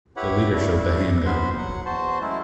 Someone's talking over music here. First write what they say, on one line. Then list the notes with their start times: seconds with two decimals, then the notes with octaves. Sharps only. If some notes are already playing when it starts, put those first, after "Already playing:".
The leader showed the handgun.
0.17 E4 G4 B4 C#5 F#5 B5
0.53 C#3 A3 D4 E4
1.25 F#2 B3 C5 B5 C6
1.58 F#3 F#5
1.86 E2 F#4 C5 A5 C6
2.21 F#3 G#3 A3 C#4 E4